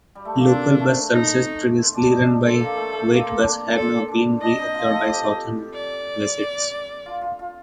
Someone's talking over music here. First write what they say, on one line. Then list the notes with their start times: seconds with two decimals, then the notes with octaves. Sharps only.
Local bus services previously run by Wightbus have now been re-absorbed by Southern Vectis.
0.15 G3
0.25 A3
0.35 A#3
0.45 C4 D4
0.79 A3
1.12 D#4
1.78 C4
1.94 D4
2.11 D#4
2.27 D4
2.43 C4 A4
2.60 A#3
2.77 A3
2.93 A3
3.09 A#3
3.18 C4
3.25 A#3
3.43 D4
3.75 C4 A4
4.08 D4
4.41 D4 D#5
4.58 D#4
4.74 F4
4.90 A4
5.08 G4
5.74 D5
7.06 F4
7.21 F4
7.39 F4